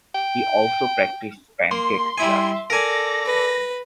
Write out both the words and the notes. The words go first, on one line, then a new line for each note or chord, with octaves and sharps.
He also practiced pencak silat.
G5
A#3 C6
G3 E4 E5 G#5
A4 A#4 D5 G#5 A#6
B4